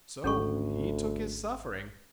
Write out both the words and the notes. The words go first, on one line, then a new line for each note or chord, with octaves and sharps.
So 'he took his suffering.'
G#1 D2 C#4 A4 C#6